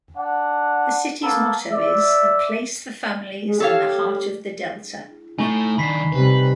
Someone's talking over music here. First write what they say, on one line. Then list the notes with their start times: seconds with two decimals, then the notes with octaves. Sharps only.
The city's motto is, A Place for Families in the Heart of the Delta.
0.17 D4 F#5
1.23 A#3 B3 A4
1.71 D5 E5
3.43 G#3
3.60 G4 A4 C#5 F5
5.39 A3 D#4 E4 G#5 C#6 G7
5.78 D#3 D4 B5 B6 C7
6.13 C3 G3 B4